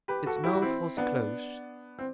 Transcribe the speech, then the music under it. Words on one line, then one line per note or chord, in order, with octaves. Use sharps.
Its mouth was closed.
G4 B4
F#4 A4
F#4
E4 G4
F#4
C4 E4
B3 D4
C4